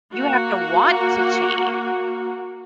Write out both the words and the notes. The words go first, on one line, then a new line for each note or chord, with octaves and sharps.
You have to want to change.
A#3 F#4